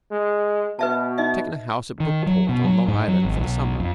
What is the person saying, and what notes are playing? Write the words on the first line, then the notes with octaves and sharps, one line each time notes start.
I've taken a house at Brookport, on Long Island, for the summer.
G#3
B2 B4 E5 A5
D#4 D#5 E5
D#3
F#3
B2
F#3
G#2
F#3
G#1
B1
F2